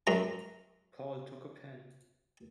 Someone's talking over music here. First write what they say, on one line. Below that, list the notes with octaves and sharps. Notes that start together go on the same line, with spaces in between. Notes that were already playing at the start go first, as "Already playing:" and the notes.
Paul took a pen.
F#2 A#5